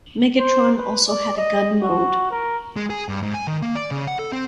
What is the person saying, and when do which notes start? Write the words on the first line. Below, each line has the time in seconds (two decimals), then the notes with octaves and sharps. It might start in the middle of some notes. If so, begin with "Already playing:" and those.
Megatron also had a gun mode.
0.39 C5
0.76 B4
1.07 D5
1.37 D#5
1.82 F#4
2.31 A#4
2.76 G#3
2.90 G#4
3.09 G2
3.23 G#2
3.34 G#5
3.47 D#3
3.62 A#3
3.75 D5
3.91 C#3
4.07 F#5
4.19 A4
4.33 C4